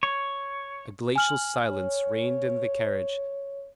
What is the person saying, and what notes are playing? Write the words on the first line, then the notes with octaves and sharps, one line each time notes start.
A glacial silence reigned in the carriage.
C#5
G#5 F6 F#7
C#5